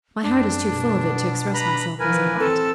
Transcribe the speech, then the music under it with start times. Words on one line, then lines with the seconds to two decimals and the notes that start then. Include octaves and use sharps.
My heart is too full of it to express myself as I ought.
0.23 F#2 D4
0.72 B2
1.54 B4 A#5 B5
2.00 E3 F3 A#4 B4 G#5
2.40 C4 A4